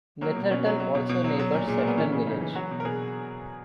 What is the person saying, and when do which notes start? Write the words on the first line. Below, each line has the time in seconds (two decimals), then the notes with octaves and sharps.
Netherton also neighbours Sefton Village.
0.21 F#3 A#3
0.36 B2
0.51 B2 C#4
0.66 F#3
0.80 F#3
0.95 B2
1.09 B2
1.24 F#3
1.39 F#3
1.54 A#2
1.67 A#2 G#3
1.78 A#3
1.83 F#3 B3
1.97 E3 C#4
2.12 C#3
2.27 C#3 D#4
2.41 E3
2.55 F#3 F#4
2.71 B2
2.80 A#4
2.85 B2 G#4